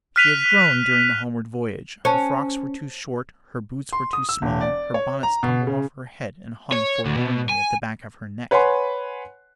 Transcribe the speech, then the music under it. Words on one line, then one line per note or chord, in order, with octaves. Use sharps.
She had grown during the homeward voyage; her frocks were too short, her boots were too small, her bonnets tumbled off her head and hung forlornly at the back of her neck.
F6 F#6 B6 D#7 F7
C#4 C5 A5
C6
D#6
E6
E1
D5
C#5
A#5
B2
C#3
C#5
D2
B2
G#5
B4 C#5 F#5 G#5 B5 C6